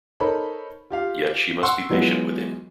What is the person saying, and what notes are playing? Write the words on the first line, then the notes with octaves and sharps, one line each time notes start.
Yet she must be patient with him.
D#4 A4 A#4 C5 C#5 B5
F4 G4 F5
F#5 C6 C#6 E6
E3 F#3 G#3 B3 F4